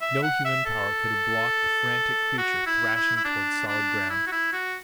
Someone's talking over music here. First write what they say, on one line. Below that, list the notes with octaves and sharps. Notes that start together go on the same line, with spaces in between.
No human power could have blocked the frantic creature thrashing toward solid ground.
E5
F#5
E5
A4
F#4
E4
E4
E4
D4
D4
E4
F#4
E4
F#4